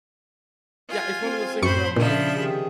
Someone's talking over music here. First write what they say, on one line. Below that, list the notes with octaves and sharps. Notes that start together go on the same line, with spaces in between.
Yeah, it's one of those things where I'm like,
F4 G#5
C4
F#2 A2 C5 B5 C#6 C#7
A#2 C#3 F3 D4 E5
C3 D#3 G#4